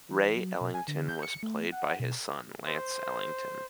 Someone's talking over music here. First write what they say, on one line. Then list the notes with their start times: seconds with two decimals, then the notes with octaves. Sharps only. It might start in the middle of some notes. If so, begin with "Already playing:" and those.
Ray Ellington was played by his son, Lance Ellington.
0.12 E3
0.36 F#3
0.61 B2
0.74 G#5
0.88 D3
1.09 G6
1.23 C#7
1.43 A3
1.72 F#5
2.00 B2
2.68 C5